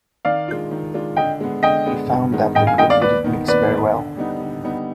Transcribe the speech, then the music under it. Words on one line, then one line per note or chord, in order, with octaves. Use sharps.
He found that the group didn't mix very well.
D#3 D5 F5
G#3 D4 F4
D#3
G#3 D4 F4
D3 D#5 G5
G#3 B3
D3 D#5 G5
G#3 B3
G2
D#3 G#3 B3
G2 D#5 G5
F5 G#5
D#3 G#3 B3 D#5 G5
D5 F5
D#2 B4 D5
D#3 B3 D#4
D#2 B4 D5
D#3 B3 D#4
D3
G3 B3 D#4
D3
G3 B3 D#4